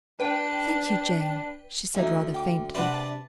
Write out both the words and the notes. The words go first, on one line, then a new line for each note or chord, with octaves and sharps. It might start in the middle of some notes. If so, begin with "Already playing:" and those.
"Thank you, Jane," she said rather faintly.
D4 B4 G5
D2 D#4 E5 G#5
G5 D6
C3 D4 B4 C5 F#5
A5